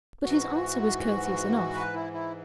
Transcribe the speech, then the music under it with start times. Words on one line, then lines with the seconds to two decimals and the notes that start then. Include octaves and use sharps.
But his answer was courteous enough.
0.23 G#2 E3 F#4
1.75 B4
1.94 E4
2.13 E4